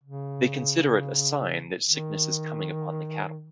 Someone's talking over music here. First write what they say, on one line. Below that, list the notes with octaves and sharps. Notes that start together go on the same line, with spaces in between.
They consider it a sign that sickness is coming upon the cattle.
C#3
D#3